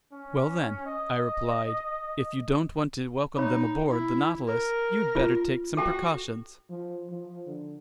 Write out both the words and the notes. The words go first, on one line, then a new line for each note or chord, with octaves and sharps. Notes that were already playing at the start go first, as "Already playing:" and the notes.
"Well then," I replied, "if you don't want to welcome them aboard the Nautilus, you'd better take some precautions!"
C#4
D#5
D#4 C#5 B5
E4
A#4
F4
F#4 A4 G5
F3
F3
D3